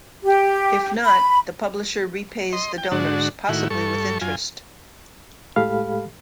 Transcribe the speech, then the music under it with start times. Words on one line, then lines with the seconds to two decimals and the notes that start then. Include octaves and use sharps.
If not, the publisher repays the donors, possibly with interest.
0.25 G4
1.04 B5
2.53 D#5 C6
2.78 G5
2.92 G#2 D3 D4 F#4
3.49 A2 D#3 E4 F#4
3.70 G2 A4 C#6
4.21 F#2 F4 G#5
5.56 A2 G#3 G4 A4 F5 B5